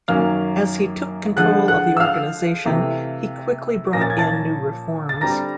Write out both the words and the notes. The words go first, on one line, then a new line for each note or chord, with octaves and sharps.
As he took control of the organization, he quickly brought in new reforms.
F#2 D#3 F#3 A#3 C#4 F5 F6
D3 F3 G#3 F#5 F#6
F#5 F#6
E6
F5 F6
C3 E3 A3
A#2 F3 A#3 C#4 A#6
A6
G#6
A5 A6
A6
D3 G3 C4 A#5 A#6